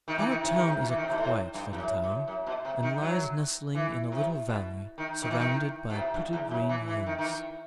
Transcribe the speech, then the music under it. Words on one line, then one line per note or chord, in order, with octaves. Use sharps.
Our town is a quiet little town, and lies nestling in a little valley surrounded by pretty green hills.
D#3
E3
D#3
C3
D#3
C3
B2
E3
D#3
C3
B2
A2
G2
E2
F#2
F#2
F#2
B2
C3
D#3
F#3
E3
C3
B2
D#3
D#3
E3
D#3
B2
C3
G2
E2
F#2
E3
E3
D#3
D#3
E3